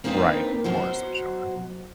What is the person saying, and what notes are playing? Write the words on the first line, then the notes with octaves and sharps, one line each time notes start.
Right, of course, I'm sure.
A#3 C4 D4 D#4 A#4 B4
B2 F#3 F#4 C5